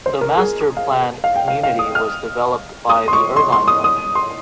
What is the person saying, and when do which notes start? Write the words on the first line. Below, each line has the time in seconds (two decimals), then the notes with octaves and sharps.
The master-planned community was developed by the Irvine Company.
0.06 C5
0.21 A#4
0.37 G#4
0.77 F5
1.24 F5
1.36 G5
1.48 F5
1.63 F5
1.79 D#6
1.95 F6
2.89 D#6
3.08 C6
3.13 C#6
3.36 C6
3.52 C6
3.68 D#6
3.84 D#6
4.15 C6